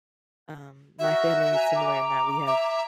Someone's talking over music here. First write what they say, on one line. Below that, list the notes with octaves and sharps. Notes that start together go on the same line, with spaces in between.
Um, my family is similar in that we have
F#4 A#4 E5
G#5 A#5
A#5 D6
E5